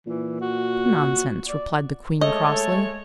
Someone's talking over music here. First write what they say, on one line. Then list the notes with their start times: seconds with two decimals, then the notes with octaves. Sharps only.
'Nonsense!' replied the queen crossly.
0.07 A#2 E3
0.41 F#4
1.48 D5
2.21 G#3 A3 A4 C#5 D#5